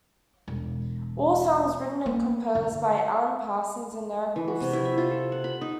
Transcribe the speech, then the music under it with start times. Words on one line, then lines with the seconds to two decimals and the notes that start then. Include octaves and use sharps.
All songs written and composed by Alan Parsons and Eric Woolfson.
0.48 E1
2.06 A#3
2.55 D3
4.36 E3
4.48 F#4
4.61 C3
4.73 E4
4.85 E5
4.98 F4
5.11 A4
5.32 F#5
5.44 B5
5.61 D#4